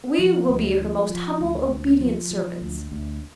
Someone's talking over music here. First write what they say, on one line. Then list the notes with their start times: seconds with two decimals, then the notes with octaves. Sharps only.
We will be her most humble obedient servants.
0.19 F3
0.49 D2
0.80 F3
1.10 F3
1.40 D2
1.71 D2
2.01 F3
2.31 F3
2.61 D2
2.92 D2